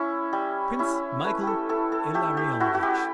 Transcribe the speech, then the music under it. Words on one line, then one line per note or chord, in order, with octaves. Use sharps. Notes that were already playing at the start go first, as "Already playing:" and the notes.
Prince Michael Ilarionovich!
Already playing: C#4 E4
G3
C#4 E4
A3 B4
G4 A4
E4 A4
A4
A3 G4
G4
E4 F#4
F#4
G4